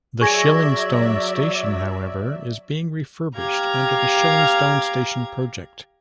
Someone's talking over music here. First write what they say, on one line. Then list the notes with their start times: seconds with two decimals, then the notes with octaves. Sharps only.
The Shillingstone Station, however, is being refurbished under the "Shillingstone Station Project".
0.21 F#3 G#4 D5 E5 C#6 G#6 A#6
3.36 G4 F5 A#5 G#6